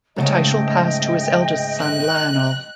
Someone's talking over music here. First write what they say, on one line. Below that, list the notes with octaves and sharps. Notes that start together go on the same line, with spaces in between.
The title passed to his eldest son Lionel.
G#2 C#3 A3 D#5 G5
F#6